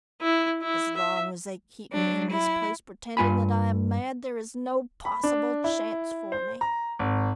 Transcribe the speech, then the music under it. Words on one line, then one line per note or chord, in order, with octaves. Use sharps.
"As long as they keep me in this place pretending that I am mad, there is no possible chance for me."
E4
E4
E5
F#3 D4
E4
G2 F4 G#5 B5
B5
D4
E4
C5
A#5
G#1